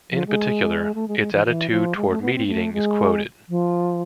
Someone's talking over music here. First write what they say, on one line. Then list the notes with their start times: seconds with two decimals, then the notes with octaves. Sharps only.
In particular, its attitude toward meat eating is quoted.
0.11 F3
0.27 G#3
0.95 A3
1.08 G#3
1.20 G#3
1.33 E3
1.46 E3
1.70 F3
1.96 G#3
2.09 A3
2.22 B3
2.34 C4
2.48 A3
2.73 G#3
3.49 F3